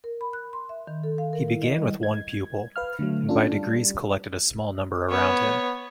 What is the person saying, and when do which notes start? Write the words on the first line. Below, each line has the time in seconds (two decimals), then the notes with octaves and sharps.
He began with one pupil, and by degrees collected a small number around him.
0.04 A#4
0.21 B5
0.33 F#6
0.53 C6
0.69 E5
0.87 D#3
1.04 A4
1.18 F5
1.33 A#4
1.48 E4
1.63 D#5
1.79 G3
2.03 G#6
2.76 B4 F5 F6
2.99 D3 F#3 A3
3.29 C#4 D4 F4 A4
3.55 G3
5.11 B3 C#5